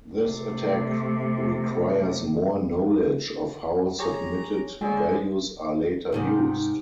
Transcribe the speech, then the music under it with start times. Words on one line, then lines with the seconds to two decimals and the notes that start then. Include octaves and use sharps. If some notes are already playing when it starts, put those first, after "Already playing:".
This attack requires more knowledge of how submitted values are later used.
0.23 C3 A3
3.99 G4 G#4 C#5 A#5
4.81 D3 G#3 G#4 C#5
6.12 G#2 C3 D#3